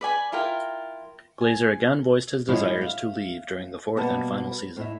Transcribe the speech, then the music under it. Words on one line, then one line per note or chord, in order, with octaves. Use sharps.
Glaser again voiced his desires to leave during the fourth and final season.
B4 D5 G#5 B5
E4 F4 A#4 G5
G#5
D3 F3 G3 G#3 C#4 E4
E5 F5
B2 G3 A#3 B3 B4 A5
A2 E5